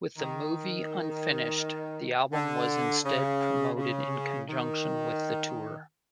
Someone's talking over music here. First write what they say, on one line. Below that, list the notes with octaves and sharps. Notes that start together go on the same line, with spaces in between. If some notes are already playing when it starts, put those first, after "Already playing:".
With the movie unfinished, the album was instead promoted in conjunction with the tour.
D#3
D3
C#3
C#3
D#3